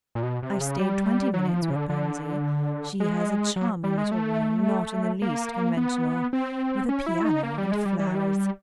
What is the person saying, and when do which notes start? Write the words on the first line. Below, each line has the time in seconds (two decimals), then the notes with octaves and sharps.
I stayed twenty minutes with Pansy; she has a charming little room, not in the least conventual, with a piano and flowers.
0.15 A#2
0.23 B2
0.43 C3
0.61 C#3
0.79 G3
1.34 F#3
1.48 F3
1.62 E3
1.70 C#3
1.76 D3
1.89 D3
3.00 G#3
3.56 F#3
3.84 G3
3.98 G#3
4.12 A3
5.22 A#3
5.77 B3
6.33 C4
6.89 C#4
7.06 E4
7.25 D#4
7.43 A#3
7.58 G3
7.72 G#3
7.85 G3
7.99 G3
8.07 F#3
8.15 G3